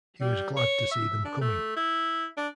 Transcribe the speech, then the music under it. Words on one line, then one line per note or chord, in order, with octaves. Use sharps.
He was glad to see them coming.
G3
C#5
E5
D4
A3
E4
D4